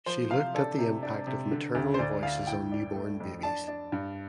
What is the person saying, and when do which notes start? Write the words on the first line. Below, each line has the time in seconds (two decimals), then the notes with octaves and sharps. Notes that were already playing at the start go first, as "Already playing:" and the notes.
She looked at the impact of maternal voices on newborn babies.
0.06 F3 C5
0.30 C3 F5
0.54 D4 A4
0.79 C3
1.03 D4
1.27 C3
1.51 D3
1.75 D2
1.94 C5
1.99 D2 D5
2.23 D2 F5
2.47 A2 G5
2.72 D4
2.96 A3
3.20 F2
3.43 D4 A5
3.68 D4
3.92 G2